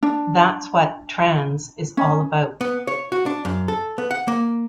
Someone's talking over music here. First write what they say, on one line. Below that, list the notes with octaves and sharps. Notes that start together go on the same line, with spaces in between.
That's what "Trans" is all about.
D4
C#4
B3
C#5
F#4
D4
F#2
A4
B3
F#5
A#3